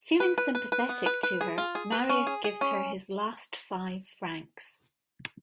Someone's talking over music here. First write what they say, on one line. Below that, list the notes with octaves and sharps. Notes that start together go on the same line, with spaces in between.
Feeling sympathetic to her, Marius gives her his last five francs.
B4
B4
B4
B4
B3
B4
B4
G#4
F4
G#4
B4
C#4
G#4
G#4
C#4